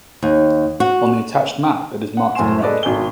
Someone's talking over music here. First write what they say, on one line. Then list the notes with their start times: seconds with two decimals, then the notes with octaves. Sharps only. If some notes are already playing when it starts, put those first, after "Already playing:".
On the attached map it is marked in red.
0.23 D#2
0.80 F#4
2.17 F#5
2.35 F#1 A2 C5 G#5 C6 E7
2.63 G#4 A4 B4 D5 D#5
2.83 G#1 B2 G#5 G7